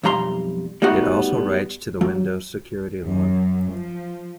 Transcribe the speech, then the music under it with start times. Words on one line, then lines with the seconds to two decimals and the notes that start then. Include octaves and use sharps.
It also writes to the Windows Security Log.
0.03 B1 F2 G3 A#5 C6
0.82 G3 A3 B3 D#4 F#4
2.01 F#3
3.04 F#2
3.74 F3